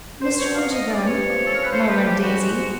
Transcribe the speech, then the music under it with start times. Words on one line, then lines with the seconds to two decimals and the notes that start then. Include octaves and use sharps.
"Mr. Winterbourne!" murmured Daisy.
0.22 G2 C5
0.39 C#5
0.47 F#3
0.55 F5
0.72 B3 D#5
0.89 D5
0.98 G2
1.05 C#5
1.22 F3
1.47 C#4 A4
1.55 A#4
1.64 B4
1.72 F3 C5
1.89 B4
1.97 C#3
2.06 G4
2.22 G#3 F#4
2.46 G#2